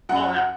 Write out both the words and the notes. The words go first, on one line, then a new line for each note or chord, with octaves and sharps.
Oh yeah.
F#2 F#5